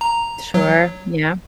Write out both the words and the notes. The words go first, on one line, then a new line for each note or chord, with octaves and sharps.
Sure, yeah.
A#5
F#3